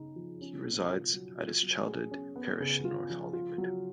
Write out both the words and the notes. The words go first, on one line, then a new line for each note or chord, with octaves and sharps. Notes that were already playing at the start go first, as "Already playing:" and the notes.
He resides at his childhood parish in North Hollywood.
Already playing: C#3 D#4
F3
C#4
B2
F4
F#3
F4
F#3
G#4
C#4
B3
C#3
F4
F3
F4
F#3